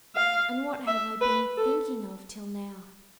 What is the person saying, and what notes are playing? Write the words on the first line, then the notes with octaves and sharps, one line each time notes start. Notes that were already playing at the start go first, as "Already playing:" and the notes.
"And what have I been thinking of till now?"
F5
E5
B4
A4